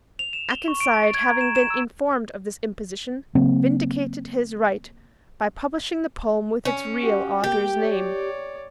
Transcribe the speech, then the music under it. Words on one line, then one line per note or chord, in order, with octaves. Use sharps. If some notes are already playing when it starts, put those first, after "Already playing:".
Akenside having been informed of this imposition, vindicated his right by publishing the poem with its real authour's name.
F7
E7
G7
C#6
D7
A6
G#6
A#5
E7
E7
E6
C#3 F#3 A#3 C4
C#4
F#4 G4
A#3 G4 G5
C#5 D5